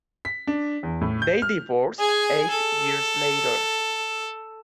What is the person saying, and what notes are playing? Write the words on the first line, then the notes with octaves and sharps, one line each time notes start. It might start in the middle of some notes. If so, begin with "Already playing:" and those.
They divorced eight years later.
B6
D4
E2
A2
G6
F6
G#4 G#5
A4